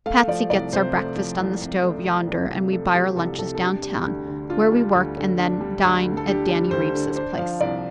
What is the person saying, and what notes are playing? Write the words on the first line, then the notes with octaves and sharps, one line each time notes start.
Patsy gets our breakfast on the stove yonder, and we buy our lunches down town, where we work, and then dine at Danny Reeves's place.
A3 F5
F3 D5
C2 D5
C3 C5
A3
F3
C2
C3
A3
F3
C2
C3
A3 A4
F3 G4
C2 A4
C3 A4
A4
D4 G4
G3
D2
D3
D4 F4
G3
D2
D3
D4
G3
D2
D3
A4
D4 G4
G3
D2 C5
D3
D4 C5
F3 F5
C2 D5